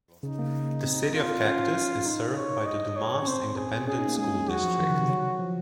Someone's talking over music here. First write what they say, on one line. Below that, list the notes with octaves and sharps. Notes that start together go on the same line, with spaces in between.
The City of Cactus is served by the Dumas Independent School District.
C#3 D#4
A#3
C4
F4
C#4
D#4
C#5
D#5
C#5
C#4
C4 C5
G#4
C#4 G#4
D#4
A#3
G#3 G#4
F#3 F#4
F3
D#3
C#3
C3
F#3
F3